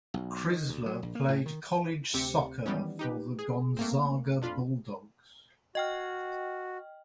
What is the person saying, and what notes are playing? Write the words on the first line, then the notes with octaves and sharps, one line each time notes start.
Crisler played college soccer for the Gonzaga Bulldogs.
B1
D#3
D2
F#3
A#1
A#3
A2
D#3
D2 C3 C4 G4 C#7
D#3 E3 G3 B3 C#4
D#4 G4 B4
G#4
A3 A#3 C4
F2 D4 F4 B5
F#4 D#5 G5 F6